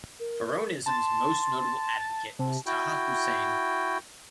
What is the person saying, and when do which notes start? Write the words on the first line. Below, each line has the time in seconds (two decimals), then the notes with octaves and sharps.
Pharaonism's most notable advocate was Taha Hussein.
0.19 A#4
0.86 A5 C6
2.39 C3 A5
2.66 E4 F#4 G5